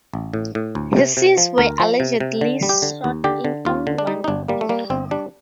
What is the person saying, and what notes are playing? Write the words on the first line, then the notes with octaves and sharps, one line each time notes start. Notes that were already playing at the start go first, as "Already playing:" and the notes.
Her scenes were allegedly shot in only one day.
A1
A2
A2
D2
C3
C3
F3
D2 A#4
F3
C3
C3
D3
G3
G4
D3
D#2
D3 G4
D3
D#2 F4
D3
D4
G3 D#4
D#4
G1 D4
G3 A#3
A3
G3 A#3
G1 C4
G3 D4